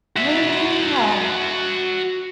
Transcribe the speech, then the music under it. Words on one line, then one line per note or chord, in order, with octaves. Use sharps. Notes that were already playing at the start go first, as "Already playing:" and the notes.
Oh, wow.
F#4 E5